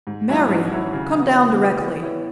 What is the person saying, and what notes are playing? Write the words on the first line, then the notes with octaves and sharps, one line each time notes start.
"Mary! come down directly."
G#2
F#3 C#4 E4 C#5
G#2
F#3 C#4 E4 C#5
C#3
E3 B3 F#4
C#3
E3 B3 F#4
E3
B3 E4 C#5